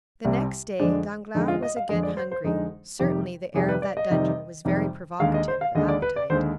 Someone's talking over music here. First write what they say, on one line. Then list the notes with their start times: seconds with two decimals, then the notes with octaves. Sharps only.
The next day Danglars was again hungry; certainly the air of that dungeon was very provocative of appetite.
0.24 C2 C3 G3
0.79 F2 D3 G#3 D4
1.35 F2 D3 G#3 D#4
1.48 F4
1.63 D#5
1.76 F5
1.89 F2 D3 G#3 D#5
2.03 D5
2.17 C5
2.32 C5
2.44 F2 D3 G#3 D#4
2.99 F2 C3 D#3 G3 G4
3.54 F2 C3 D#3 G3 G#4
3.69 B4
3.82 D5
3.97 D#5
4.10 F2 C3 D#3 G3
4.65 F2 C3 D#3 G3
5.20 D#2 D3 G#3 F5
5.34 D#5
5.48 C5
5.61 F5
5.75 D#2 D3 G#3 D#5
5.88 D5
6.02 B4
6.16 D5
6.30 D#2 D3 G#3 C5